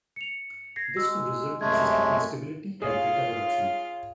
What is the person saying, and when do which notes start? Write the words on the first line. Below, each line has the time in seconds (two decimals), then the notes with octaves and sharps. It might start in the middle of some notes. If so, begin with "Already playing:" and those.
This could result in system instability and data corruption.
0.16 C#7 F7
0.76 G#6 A#6 C7
0.96 G#3 F#4 E6
1.61 F#2 C3 G#3 A3 C#4 G#6
2.82 F4 G#4 C#5 F5